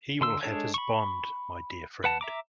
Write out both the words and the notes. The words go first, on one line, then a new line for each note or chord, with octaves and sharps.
He will have his bond, my dear friend.
D3 C6 E6
G#3 D4 A4 C#5
B5 C#6
B4 F#5 A5
E5 A#5 D6